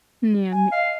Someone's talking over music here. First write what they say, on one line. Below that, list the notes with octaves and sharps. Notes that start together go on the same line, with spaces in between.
Yeah, me
G#5
D#5 F5